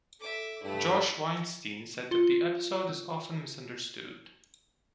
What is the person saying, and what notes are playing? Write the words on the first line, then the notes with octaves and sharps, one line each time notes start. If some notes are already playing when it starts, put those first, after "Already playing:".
Josh Weinstein said that the episode is often misunderstood.
A4 E5 D6
G2 A3 E4 A4
F4 G7